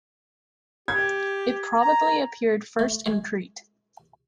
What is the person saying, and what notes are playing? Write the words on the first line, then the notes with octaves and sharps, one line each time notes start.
It probably appeared first in Crete.
G4 G#6
A#5
A3
G#3